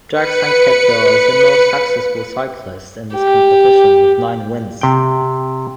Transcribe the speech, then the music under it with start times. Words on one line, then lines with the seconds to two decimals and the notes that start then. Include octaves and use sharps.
Jacques Anquetil is the most successful cyclist in this competition, with nine wins.
0.12 B4 C#7
3.14 G4
4.81 C3 G5